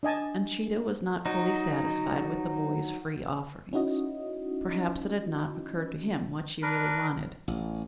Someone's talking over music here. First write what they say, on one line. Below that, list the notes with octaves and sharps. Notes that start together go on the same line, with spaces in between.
Uncheedah was not fully satisfied with the boy's free offerings. Perhaps it had not occurred to him what she really wanted.
D4 D#5 G#5 A5
F#3 D#4
C#4 D#4 E4 F#4 D#5
D4 A#4 B4
A1